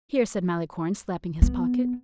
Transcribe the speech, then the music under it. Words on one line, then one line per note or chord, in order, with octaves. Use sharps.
"Here," said Malicorne, slapping his pocket.
B3